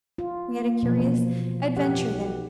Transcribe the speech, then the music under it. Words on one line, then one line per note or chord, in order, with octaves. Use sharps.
We had a curious adventure there.
F4
A#3
B2 E3 F3
A1 F2 G4 F#5
B1